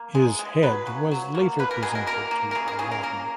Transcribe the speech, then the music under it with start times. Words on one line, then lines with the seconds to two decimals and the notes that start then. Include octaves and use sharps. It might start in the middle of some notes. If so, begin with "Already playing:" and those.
His head was later presented to Alauddin.
Already playing: A#3
0.15 G#3
0.39 G#3
0.63 F#3 B4
0.87 C#3
1.11 F#3
1.34 A#3
1.59 A#3 B4
1.71 A#4
1.83 B2 G#4
1.95 A#4
2.07 A#3 A#4
2.31 A#3
2.51 A#4
2.55 C#3 G#4
2.68 A#4
2.79 C#3 G#4
2.91 A#4
3.03 A#3 A#4